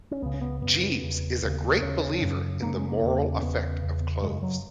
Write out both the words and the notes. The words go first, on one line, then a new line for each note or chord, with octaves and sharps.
Jeeves is a great believer in the moral effect of clothes.
C#4
C#2 C#3 B3
C#4
B3
F#2 C#3 B3
E2 C#3
D#2 C#3
D#2 C#3 C#4
F#2 C#3
F#2 C#3 A#3
G#3
A#3
E2 C#3
C#4
E2 C#3 B3
E2 C#3
F#2 C#3 G#3
F#3